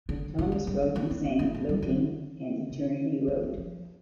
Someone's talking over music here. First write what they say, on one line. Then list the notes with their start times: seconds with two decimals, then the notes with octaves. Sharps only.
Thomas wrote and sang "Floating" and "Eternity Road".
0.09 D3
0.39 D3
0.52 F3
0.67 G3
0.82 G#3
0.96 A#3
1.11 C4
1.25 A#3
1.39 A#3
1.54 A#3
1.69 G3
1.82 D3
2.70 C3
3.28 D3
3.43 D#3
3.58 F3